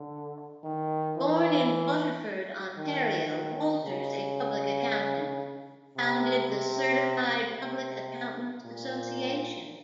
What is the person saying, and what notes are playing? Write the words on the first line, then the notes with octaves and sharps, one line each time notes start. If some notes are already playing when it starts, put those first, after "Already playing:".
Born in Waterford, Ontario, Walters, a public accountant, founded the Certified Public Accountants' Association.
Already playing: D3
D#3
E3
D#3
D#3
C#3
C3
C3
C3
A#2